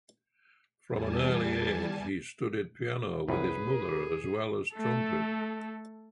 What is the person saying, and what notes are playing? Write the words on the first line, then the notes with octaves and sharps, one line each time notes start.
From an early age he studied piano with his mother as well as trumpet.
E2 G3 G#5 A5
C2 F#2 G#4 B4
A3 A4